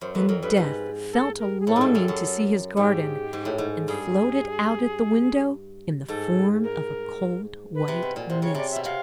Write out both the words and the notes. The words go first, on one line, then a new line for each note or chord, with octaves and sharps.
Then Death felt a longing to see his garden, and floated out at the window in the form of a cold, white mist.
F#2 C5
F2 B4
F2 A#4
G2 B4
G#2
A4
A#4
G#4
A2 A4
G#2
G2
F#2
F#2
G#2 G4
G#2
A2
G#2
G2 G#4
G#2 A4
A#4
B4
C3
B2
A#2
C3 C5
C#3 C#5
C3 D5
B2 E5
C3 F5